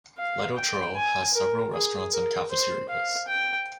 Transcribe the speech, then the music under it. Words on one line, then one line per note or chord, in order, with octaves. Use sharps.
Litochoro has several restaurants and cafeterias.
F5
G5
G#5
A#4
G#4
A#4
C5
F5
G5